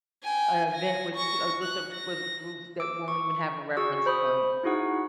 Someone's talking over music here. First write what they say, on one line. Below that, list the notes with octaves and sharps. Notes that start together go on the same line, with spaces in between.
a event with a with a with a group that won't even have a reference point?
G5 G#5
G#5 A#6
C#6 A#6
F#6
A#6
D6 E6 D7
C#6
F#4 G#4 C#6 E6
C5 B5 C#6 D#6
D#4 E4 F#4 G#4 F#5